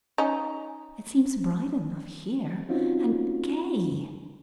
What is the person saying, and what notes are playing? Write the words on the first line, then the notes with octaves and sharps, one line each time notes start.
It seems bright enough here, and gay.
C#4 D#4
C4 C#4 D#4 F4 F#4